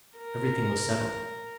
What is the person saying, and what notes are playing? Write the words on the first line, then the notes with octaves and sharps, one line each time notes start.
Everything was settled.
A#4